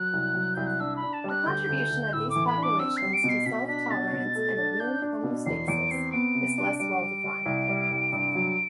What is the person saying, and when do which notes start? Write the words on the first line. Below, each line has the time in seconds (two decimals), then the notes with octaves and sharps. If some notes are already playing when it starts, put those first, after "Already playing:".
The contribution of these populations to self-tolerance and immune homeostasis is less well defined.
Already playing: F#3 F#6
0.13 C2
0.35 F#3
0.54 C2 G6
0.67 F#6
0.79 D4 E6
0.96 B5
1.02 D4
1.13 A5
1.24 G3 F#6
1.46 D2 G6
1.69 D2
1.90 D2
2.13 A2 E6
2.30 D6
2.36 E3
2.47 B5
2.58 D4
2.63 D6
2.79 C4 E6
2.97 C7
3.02 G3
3.14 D7
3.24 B2
3.29 C7
3.46 B2 B6
3.68 D4 B6
3.90 B2 A6
4.12 B2
4.35 A3
4.58 D4
4.80 D4 G6
5.02 D4
5.23 B2
5.46 E2 C7
5.68 E2 D7
5.91 C4 C7
6.12 B3 D7
6.35 C3
6.58 D4
6.79 G3 D7
7.01 G3
7.24 G3
7.46 C2
7.68 G3
7.91 C2
8.13 G2
8.35 F#3